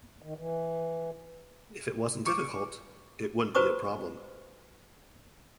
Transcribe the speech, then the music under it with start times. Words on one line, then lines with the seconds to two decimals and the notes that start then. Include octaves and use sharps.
If it wasn't difficult, it wouldn't be a problem.
0.22 D#3
0.37 E3
2.26 C#6 D6
3.55 F#4 B4 C5 A#5 C#6 D#6